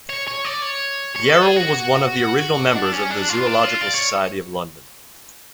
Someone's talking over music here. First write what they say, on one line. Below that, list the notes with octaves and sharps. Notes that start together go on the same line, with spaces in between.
Yarrell was one of the original members of the Zoological Society of London.
C#5
C#5
D5
C#5
C#5
A4
G#4
F#4
D4
C#4
D4
F4
D4
F4
D5
C#5